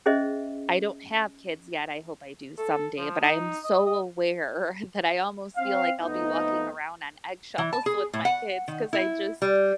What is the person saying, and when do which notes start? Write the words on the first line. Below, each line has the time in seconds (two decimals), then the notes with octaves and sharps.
I don't have kids yet- I hope I do someday- but I am so aware, that I almost feel like I'll be walking around on eggshells with my kids, 'cause I just
0.06 C#4 G#4 C5 D#5 E5
2.58 A4
2.98 F3
3.21 D#4
3.64 D#5
3.86 D#5
5.57 C4 F5
6.02 F2 A3 B3 D#4
7.58 E3
7.73 A5
7.86 G#4
8.14 A2
8.25 F#5
8.68 D#3
8.93 E4
9.42 G3